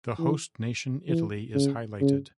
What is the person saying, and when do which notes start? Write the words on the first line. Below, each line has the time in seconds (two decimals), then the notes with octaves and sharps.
The host nation, Italy, is highlighted.
0.18 E3
1.09 E3
1.55 C#3
2.01 C#3